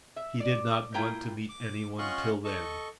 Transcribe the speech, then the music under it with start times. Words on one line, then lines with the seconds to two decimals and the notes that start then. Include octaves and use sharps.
He did not want to meet anyone till then.
0.16 E5
0.40 D5
0.94 A#3 E4 F4 G5 A#5
1.49 D6
1.98 C#4 F4 D#5 F#5 C6 C#6
2.44 A4 D#5 C#6